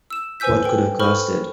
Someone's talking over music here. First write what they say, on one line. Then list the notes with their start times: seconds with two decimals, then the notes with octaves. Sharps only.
What could have caused it?
0.10 E6 E7
0.40 B4 C5 G#5 E6 G6 B6
0.63 A4 B4 G5
0.99 A4 C5 B5 C#6 F6